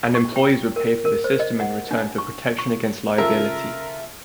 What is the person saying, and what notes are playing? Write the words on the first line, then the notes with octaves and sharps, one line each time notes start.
And employers would pay for the system in return for protection against liability.
C#6
G5
A#4
A#4
C5
D#5
F#5
D4
C#6
C#6
C#3 F4 A4 A#4 E5